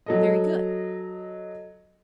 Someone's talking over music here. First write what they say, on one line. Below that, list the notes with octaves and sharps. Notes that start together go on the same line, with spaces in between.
Very good.
F#3 A4 D#5